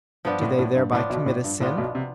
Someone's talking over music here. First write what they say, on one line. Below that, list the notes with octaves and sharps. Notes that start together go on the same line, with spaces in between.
Do they thereby commit a sin?
G2 F3 B3 D4 F4
A2
A2
G2
A2 F3 B3 D4 F4
B1 B2
A2
G2
A2 F3 B3 D4 F4
B1 B2
C3